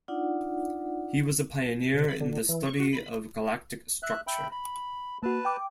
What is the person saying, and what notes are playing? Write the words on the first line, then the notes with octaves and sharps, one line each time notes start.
He was a pioneer in the study of galactic structure.
D4 D#4 F4 D5 F#5
C3
B5
D3
E3
C#6
F#4
B5
E5 F#6
E5 G5 B5
B5
A#3 F#4 B4 A5
G5 D6